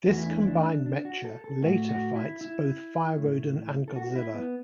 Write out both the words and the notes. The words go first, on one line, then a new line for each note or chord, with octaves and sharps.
This combined mecha later fights both Fire Rodan and Godzilla.
E2 E3 A3 F#4
E4
D4
E4
D4
D4
F#4
A4
A4
A2 A3 F#4
F#4
E4
E4
A2 A3
A4
F#4
F#4
E4
B3